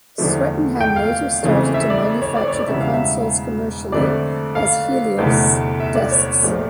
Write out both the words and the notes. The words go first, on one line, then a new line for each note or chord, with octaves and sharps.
Swettenham later started to manufacture the consoles commercially as Helios desks.
E2 D3 F3 A3
G5
F5
F2 C#3 E3 A3
E5
D5
C#5
D5
C#5
D5
E1 E2 C#3 G3 E5
F5
E5
F2 D3 A3 D5
F5
F1 E2 D3 A3
E5
D5
C#5
A#1 A#2 F3 A3